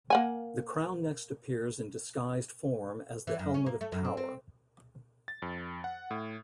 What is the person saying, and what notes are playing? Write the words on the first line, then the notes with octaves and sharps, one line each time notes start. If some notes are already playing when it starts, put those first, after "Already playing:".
The Crown next appears in disguised form as the "Helmet of Power".
A#3 F#5 G#5
E3
F#2
C#4
A#3
A3
F#2
C4
C4
A6
F2
F#5
A2